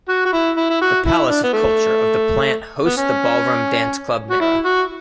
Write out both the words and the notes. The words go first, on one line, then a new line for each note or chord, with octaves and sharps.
The Palace of Culture of the plant hosts the ballroom Dance Club Mara.
F#4
F#4
E4
E4
E4
F#4
E4
D4
B3
A3
B3
C#4
F#4
E4
F#4